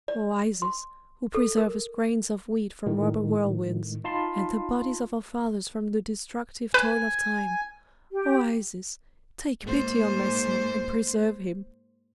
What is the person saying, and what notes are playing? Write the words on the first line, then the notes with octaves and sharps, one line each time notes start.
O Isis, who preservest grains of wheat from robber whirlwinds, and the bodies of our fathers from the destructive toil of time, O Isis, take pity on my son and preserve him!
D5
C6
A4
A#4
A2 D3 D#3 G#3
D#4 F4 A5 B5 C6
B4 G#5
G4
G#2 A#3 C5